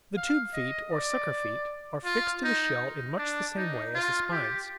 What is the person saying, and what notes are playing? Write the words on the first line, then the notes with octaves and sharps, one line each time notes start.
The tube-feet, or sucker-feet, are fixed to the shell in much the same way as the spines.
F5
D#5
D5
F4
D#4
D4
D#4
F4
G4